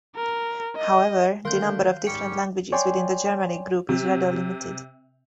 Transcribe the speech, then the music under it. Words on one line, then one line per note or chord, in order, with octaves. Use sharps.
However, the number of different languages within the Germanic group is rather limited.
A#4
D#5
D3 D#3 A3 A#4 F5 C6 F#6 G6
G#2 G3 C#4 G4 G5 C#7
C#5 D5 G5 G#5 C6
C3